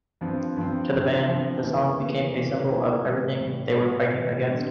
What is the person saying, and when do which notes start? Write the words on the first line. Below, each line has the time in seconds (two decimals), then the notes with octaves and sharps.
To the band, the song became a symbol of everything they were fighting against.
0.21 G2 F3 C4
0.57 G2 F3 C4
0.92 G2 F3 C4
1.27 G2 F3 C4
1.63 E2 E3 A#3 E4
1.98 E2 E3 A#3 E4
2.34 E2 E3 A#3 E4
2.70 E2 E3 A#3 E4
3.05 A2 E3 G3
3.41 A2 E3 G3
3.77 A2 E3 G3
4.13 A2 E3 G3
4.47 D3 G3 C4